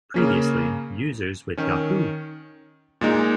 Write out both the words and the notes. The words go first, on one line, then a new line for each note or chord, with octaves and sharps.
Previously, users with Yahoo!
C#3 A#3 C#4
D#3 C#4
A#2 G#3 D#4